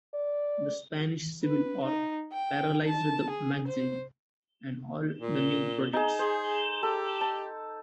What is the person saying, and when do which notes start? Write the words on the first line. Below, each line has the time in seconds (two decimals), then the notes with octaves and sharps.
The Spanish Civil War paralyzed the magazine and all the new projects.
0.14 D5
1.44 B4
1.84 D#4
2.33 G5
2.86 A5
3.30 G#4
3.68 C5
5.21 A#2
5.93 D#4 G#4
6.19 G#4 C5
6.83 G4 A4
7.21 A5